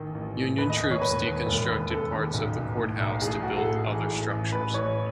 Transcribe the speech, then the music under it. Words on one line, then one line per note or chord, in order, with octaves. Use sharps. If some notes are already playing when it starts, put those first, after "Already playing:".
Union troops deconstructed parts of the courthouse to build other structures.
Already playing: A1 D#3
A1
A1
D#2 B4
D#5
D#2
C#5
E1 B4
D#2
E1
D#2
C#3 A4
D#2
B1
B1
A2
B1
A1 G#4
A1 F#4
A4
A2 G#4
E3
A1
A1
A1 B4
A1 C#5